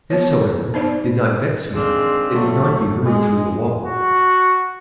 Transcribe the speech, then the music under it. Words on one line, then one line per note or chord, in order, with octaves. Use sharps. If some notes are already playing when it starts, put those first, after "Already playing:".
This, however, did not vex me; it would not be heard through the wall.
B3 C#5
B3 D#4 C5 D5
D#3 G#3 C4 D4 F4
F3 F#3 A3
G#3
F#4